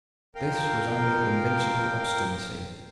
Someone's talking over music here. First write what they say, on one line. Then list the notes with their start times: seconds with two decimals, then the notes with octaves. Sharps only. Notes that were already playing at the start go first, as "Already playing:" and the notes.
This was only invincible obstinacy.
0.35 F2 A#4 F5 G5